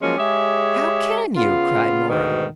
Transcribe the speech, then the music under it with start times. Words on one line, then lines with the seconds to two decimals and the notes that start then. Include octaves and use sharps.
"How can you?" cried Nora.
0.01 F3 F#3 G#3 A#3 C#4
0.17 G#3 G4 G#4 C#5 E5
1.36 C#3 B3 F4
2.09 D2 G#2 B2 D#3